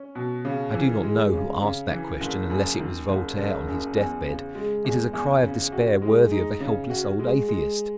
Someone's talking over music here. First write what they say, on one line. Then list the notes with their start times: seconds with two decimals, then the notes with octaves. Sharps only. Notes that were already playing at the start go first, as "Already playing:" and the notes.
I do not know who asked that question, unless it was Voltaire on his death-bed; it is a cry of despair worthy of a helpless old atheist.
Already playing: C#4
0.15 B2
0.45 C#3
0.74 E3
1.03 G#3
1.33 C#3
1.62 C#3
1.91 E3
2.21 F#1
2.50 F#2
2.79 D#3
3.09 F#1
3.38 F#1
3.67 F#2
3.97 E2
4.26 C#3
4.55 G#3
4.85 E2
5.13 E2
5.43 C#3
5.72 F#4
6.02 G#3
6.32 D#4
6.60 C#3
6.90 F#4
7.19 G#3
7.48 G#3